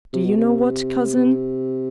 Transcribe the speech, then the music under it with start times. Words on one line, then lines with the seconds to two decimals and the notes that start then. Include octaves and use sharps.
Do you know what, cousin?
0.13 C3
0.25 B2
0.37 C3
1.17 C3